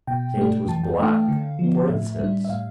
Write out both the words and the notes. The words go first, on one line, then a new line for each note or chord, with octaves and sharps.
Say it was black, for instance.
B2 G5
A3 D4
E3 A5
G5
A3 D4 G5
F5
D3
F3 B3
A2 E5
G3 D4
E5
A2 F5